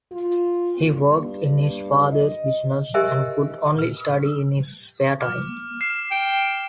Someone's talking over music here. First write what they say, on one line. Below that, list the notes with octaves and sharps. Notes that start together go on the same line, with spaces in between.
He worked in his father's business and could only study in his spare time.
F4
G2
D#5
G4 A#4 C5 D#5 E5 G#5
B4
D6 F6
F6 C7 E7
G5